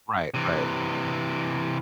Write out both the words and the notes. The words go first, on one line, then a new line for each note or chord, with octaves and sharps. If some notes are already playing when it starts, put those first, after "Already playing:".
Right, right.
C3 E3